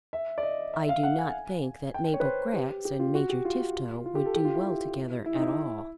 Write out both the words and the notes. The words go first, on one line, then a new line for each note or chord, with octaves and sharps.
"I do not think that Mabel Grex and Major Tifto would do well together at all."
E5
D5
D#5
E5
F5
F#5
G#5
G5
G5
C#5
B4
C5
G4
G4
F4
F#4
G4
F4
F4
G4
A4
G4
F4
E4
E4
D#4
E4